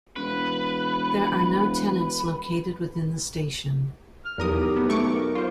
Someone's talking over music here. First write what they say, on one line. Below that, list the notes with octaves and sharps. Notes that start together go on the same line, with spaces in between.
There are no tenants located within the station.
E1 B4
F6
B1 E2 G4 A#4 D#6
B3
A3 C#6 D6
A#4
F4 C5